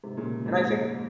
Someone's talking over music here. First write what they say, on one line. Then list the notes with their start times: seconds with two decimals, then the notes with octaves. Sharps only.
And I think
0.03 G#2 C3
0.17 A#2 C#3
0.46 F2 G#2
0.60 F2 G#2